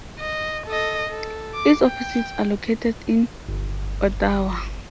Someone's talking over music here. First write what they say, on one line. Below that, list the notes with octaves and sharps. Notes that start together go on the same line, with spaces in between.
Its offices are located in Ottawa.
D#5
A4 D#5
A4
D6
G5
G1